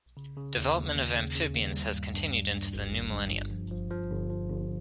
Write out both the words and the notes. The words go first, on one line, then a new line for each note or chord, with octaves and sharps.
Development of amphibians has continued into the new millennium.
C#3
C#3
D#2
D#2
D#2
C#3
C#3
D#2
G3
G2
G2
G3
G2
G#1
G#1
G2
G1
F3
F3
F3
G1
F3
G1